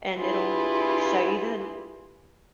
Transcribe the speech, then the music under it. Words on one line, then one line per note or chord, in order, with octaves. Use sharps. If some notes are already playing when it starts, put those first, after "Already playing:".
and it'll show you the
D4 E4 F4 G4 G#4 B4